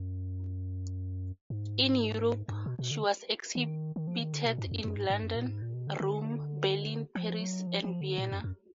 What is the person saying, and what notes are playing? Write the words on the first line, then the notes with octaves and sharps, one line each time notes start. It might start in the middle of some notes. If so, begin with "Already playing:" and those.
In Europe, she has exhibited in London, Rome, Berlin, Paris and Vienna.
Already playing: F#2
G#2
F#2
G#2
B2
B2
D3
D#3
D#3
F3
D#3
D3
B2
G#2
F2
F#2
F#2
G#2
G#2
F#2
A#2
G#2
A#2
B2
D3
D3
F3
F#3
F3
F3
D3
A#2
F#2
F#2